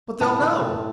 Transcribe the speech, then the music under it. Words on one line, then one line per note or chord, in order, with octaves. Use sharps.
"But they'll know...."
A2 A5
A2
A2